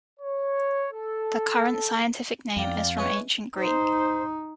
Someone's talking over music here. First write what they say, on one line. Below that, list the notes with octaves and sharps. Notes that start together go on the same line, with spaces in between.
The current scientific name is from Ancient Greek.
C#5
A4
F2 D5 F5 G5 A#5
G#3 E4 B4 C#5
D#4 C5